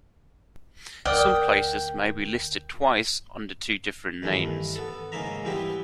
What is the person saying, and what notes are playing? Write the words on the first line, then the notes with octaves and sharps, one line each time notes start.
Some places may be listed twice, under two different names.
D2 A#4 D5 F#5 G5 D#6 F6
G2 D#3 E3 A3
B3 A4
G#2 C#3 A#3 D#4 E5 A#5
E3 G3 B3 C4 E4 G4